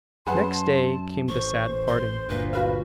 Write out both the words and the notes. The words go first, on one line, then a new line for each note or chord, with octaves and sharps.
Next day came the sad parting.
F#2 G#4 B4 F#5 A5 C6
A1 C5 C#6
C6
G1 D2 A#2 B4
F4 F#4 B4 F5